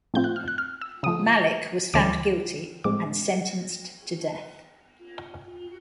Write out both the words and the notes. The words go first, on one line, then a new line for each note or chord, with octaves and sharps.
Malik was found guilty and sentenced to death.
A2 F3 A3 C4 F4 G6
F#6
F6
F#6
F6
E6
C#3 F3 A3 D#6
D2 C#3 E3 A3 C#4 D6
A2 F3 G#3 C4 D6